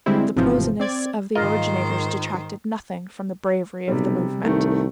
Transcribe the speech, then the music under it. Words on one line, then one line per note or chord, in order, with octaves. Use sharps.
The prosiness of the originators detracted nothing from the bravery of the movement.
D3 G3 G#3 C4 E4
G#1 A2 C3 E3 F3
C4 D5 G#6
G#2 D#3 F4 A#4 C5 D#5
B1 C3 G3
C2 D#3 A3